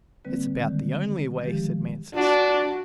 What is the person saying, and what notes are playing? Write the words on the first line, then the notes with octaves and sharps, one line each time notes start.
"It's about the only way," said Mansus.
D3 G3 A#3 C4 B4
D3 D#3 G3 G#3
D#3 F3 G#3 G4
D4 F#4